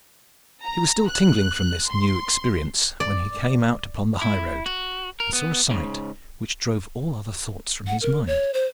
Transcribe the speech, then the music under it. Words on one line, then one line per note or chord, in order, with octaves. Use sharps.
He was still tingling from this new experience when he came out upon the high-road and saw a sight which drove all other thoughts from his mind.
A#5
F#6
C6
D5
E4
F#4
A#4
B3
G#2 C#3
F#5
A#4
C#5
C5